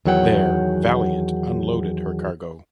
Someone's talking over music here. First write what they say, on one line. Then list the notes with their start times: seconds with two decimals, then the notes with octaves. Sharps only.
There "Valiant" unloaded her cargo.
0.05 E2 D#3 F#3 C#5 F#5 G5